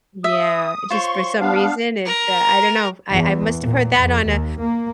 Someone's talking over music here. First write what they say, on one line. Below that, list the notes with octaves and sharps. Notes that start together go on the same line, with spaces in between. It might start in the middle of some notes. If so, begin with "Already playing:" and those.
Yeah, it's just for some reason, it's, uh I don't know, I I must have heard that on a
E5 D#6
F4 C5 C#5 C6 C#6
B3 D4 F5
A#4 A#5
E2
A#2
F2
D#2
A#3